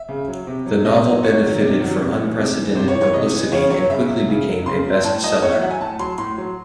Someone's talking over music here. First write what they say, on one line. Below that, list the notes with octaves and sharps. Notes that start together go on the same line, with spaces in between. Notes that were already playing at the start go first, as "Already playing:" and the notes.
The novel benefitted from unprecedented publicity and quickly became a best-seller.
Already playing: E5
C#3
F#3
C3
F#3
C3 D#5
F#3
C3 C#5
D#3 F#3
C3
D#3 F#3
C3
E3
C3
E3
C3 C5
C#5
E3
C#5
C3 D#5
E3
C#3 C#5
F#3 C#5
C#3 E5
F#3
C#3
F#3
C#3 C6
F#3
A2 A5
F#3 D#5
A2 C#5
E5
F#3 F#5
G#5
A2 A5
F#3 C6
A2 C6
F#3